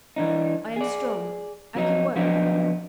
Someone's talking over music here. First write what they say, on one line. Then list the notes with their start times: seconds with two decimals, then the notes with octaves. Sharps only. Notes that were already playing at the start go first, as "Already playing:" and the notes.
I am strong. I can work.
0.16 E3 D4 D#4
0.76 G#4 D5
1.75 F2 F#3 D#4
2.16 F3 F#3 B3 C4 D4 D#4